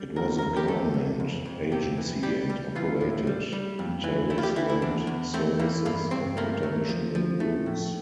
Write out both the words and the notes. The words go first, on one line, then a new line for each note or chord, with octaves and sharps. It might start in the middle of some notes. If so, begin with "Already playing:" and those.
It was a government agency and operated interisland services and international routes.
Already playing: G3
E2 A#4
E2 A#4
G4
A3 A4
E2
F2
F2
C3 G4
E3
G3 G4
G3
E3 F4
A2
G3
G3
F2
E3
A3 E4
F4
G4
E3 E4
E4
E2 D4
E2
A3 C4
E3 A#3
G2 A#3
G2 C4
A3 A#3
A3
F3
F3
A3
A2